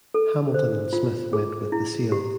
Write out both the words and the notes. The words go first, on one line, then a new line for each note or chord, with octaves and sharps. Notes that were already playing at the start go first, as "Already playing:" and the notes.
Hamilton and Smith went with the sale.
A4
C5
F4
G#4
E4
G4